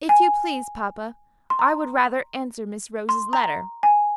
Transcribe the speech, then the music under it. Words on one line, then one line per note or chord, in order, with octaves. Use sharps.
"If you please, papa, I would rather answer Miss Rose's letter."
G#5
C6
A#5
C6
A#5
G#5